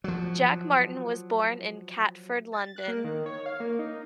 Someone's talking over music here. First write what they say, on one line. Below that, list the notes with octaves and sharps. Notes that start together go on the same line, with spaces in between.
Jack Martin was born in Catford, London.
F3 F#3
A6
F#6
A#3
D#3
C#5
F5
A#3
D#4